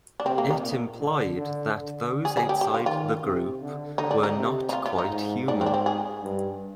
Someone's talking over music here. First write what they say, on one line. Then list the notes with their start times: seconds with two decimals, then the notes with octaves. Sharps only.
It implied that those outside the group were not quite human.
0.20 D4
0.25 C3 C4
0.38 A#3
0.51 D#4
0.63 A#2
1.00 D3
1.37 D3
1.74 D3
2.25 G#4
2.37 G#4
2.49 G4
2.61 G4
2.74 F4
2.86 D#3 F4
3.24 C3
3.62 D3
3.98 D3 D#4
4.11 D4
4.23 D#4
4.36 C3
4.69 D#4
4.73 F4
4.86 F4
4.98 D#4
5.10 G#2
5.48 G#2 D4
5.61 C4
5.66 D4
5.74 C4
5.86 G#4
6.23 G2